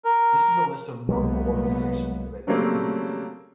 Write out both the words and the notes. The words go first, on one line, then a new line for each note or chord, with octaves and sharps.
This is a list of notable organisations related to Hinduism.
A#4
C2 F#3 G#3 A#3 B3
C#3 F#3 G3 A3 A#3 C4